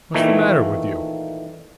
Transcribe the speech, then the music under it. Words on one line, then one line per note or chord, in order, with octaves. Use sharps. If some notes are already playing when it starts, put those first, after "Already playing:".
'What's the matter with you?'
A#2 D#3 E3 A3 A#3